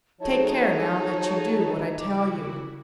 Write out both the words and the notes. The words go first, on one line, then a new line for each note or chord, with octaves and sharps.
Take care now that you do what I tell you.
F3 D#4 F#4 G#4 A4 C#5 A5
C#3 E4 F#4 D6